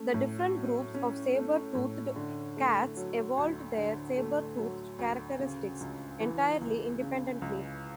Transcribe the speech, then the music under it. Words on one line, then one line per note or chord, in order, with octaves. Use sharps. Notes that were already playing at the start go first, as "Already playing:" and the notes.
The different groups of saber-toothed cats evolved their saber-toothed characteristics entirely independently.
Already playing: A3 C#4
A2
F#3
C#4
A3
A2
D3
A3
F#3
D2
D3
A3
F#3
D2
C#3
C#2
E3
C#2
C#3
C#2